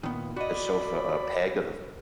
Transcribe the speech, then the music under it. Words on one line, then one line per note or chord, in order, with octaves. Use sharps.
the sofa, a peg of the
A#2 D#3 B3
F#4 D5 D#5 B5